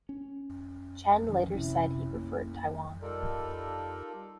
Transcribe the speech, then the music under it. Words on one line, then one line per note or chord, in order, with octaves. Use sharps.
Chen later said he preferred Taiwan.
C#4
D#3 F3 C#4
A#1 C3 C#4 E4
A#3
G3 D#4 F4 A4 A#4 D5